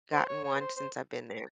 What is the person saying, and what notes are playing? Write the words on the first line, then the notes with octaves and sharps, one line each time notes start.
gotten one since I've been there.
C5
C#5
C#5
B4
C5
C5